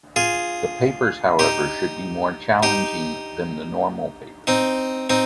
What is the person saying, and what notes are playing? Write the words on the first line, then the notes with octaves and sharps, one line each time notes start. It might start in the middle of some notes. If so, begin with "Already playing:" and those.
The papers, however, should be more challenging than the normal papers.
F4 G#4
D#4 G4
D#4 G4
C4 D#4
C4 D#4